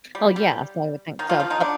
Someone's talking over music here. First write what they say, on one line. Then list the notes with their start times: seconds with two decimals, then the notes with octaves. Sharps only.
Oh, yeah. So, I would think so, but
0.15 G3
0.36 G3
1.19 D#3 D#4
1.29 F3 F4
1.40 F3 F4
1.50 D#3 D#4
1.60 D3 D4